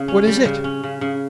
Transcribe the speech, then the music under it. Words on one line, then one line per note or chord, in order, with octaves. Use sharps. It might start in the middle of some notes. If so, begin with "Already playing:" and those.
"What is it?"
Already playing: C#3
C#4
G3
C#3
C#4
C#3
C#3